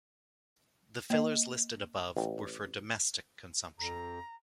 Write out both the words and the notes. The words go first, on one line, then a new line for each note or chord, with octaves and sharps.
The fillers listed above were for domestic consumption.
A#3 D#5
A1
F2 A#5